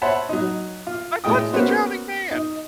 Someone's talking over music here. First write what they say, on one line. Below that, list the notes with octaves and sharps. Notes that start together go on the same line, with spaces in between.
I punched the drowning man!
C5 C#5 E5 F#5 A5 B5
F#3 D#4
F4
A2 G#3 G5 D#6
A#3 B3 C#4 F#4 C5
D#4